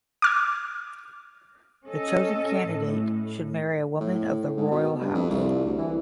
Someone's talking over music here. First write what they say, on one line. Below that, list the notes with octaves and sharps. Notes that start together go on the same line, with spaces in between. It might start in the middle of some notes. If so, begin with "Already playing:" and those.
The chosen candidate should marry a woman of the royal house.
D6 F6 G#6
C#4 A4 D#5
A2
A2
G#2
B2
G2
F2
C2
D2
E3